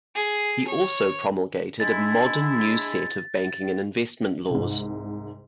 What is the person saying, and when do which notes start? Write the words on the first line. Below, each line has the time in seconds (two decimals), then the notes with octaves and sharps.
He also promulgated a modern new set of banking and investment laws.
0.15 G#4
0.67 C#5
1.80 G#3 D4 E4 A6
4.50 C2 G#2